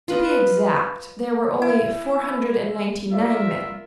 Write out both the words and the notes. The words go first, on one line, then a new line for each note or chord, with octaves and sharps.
To be exact, there were only four hundred and ninety-nine men.
F4 B4 D#5
E4
E4 F4 A#4 D5 E5 F5